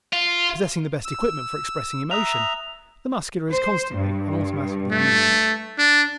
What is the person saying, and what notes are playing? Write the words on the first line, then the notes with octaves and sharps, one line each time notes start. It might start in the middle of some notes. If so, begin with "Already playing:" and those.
Possessing the best equipment for expressing emotion, the Muscular is constantly and automatically using it.
F4
E6
E5 A#5 D#6 F#6 F7
C5
G2
A3
D4